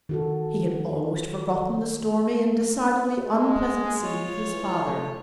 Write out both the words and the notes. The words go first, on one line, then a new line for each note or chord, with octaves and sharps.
He had almost forgotten the stormy and decidedly unpleasant scene with his father.
D#3 F#4 A4
G#3
F4 C#5
E3
A3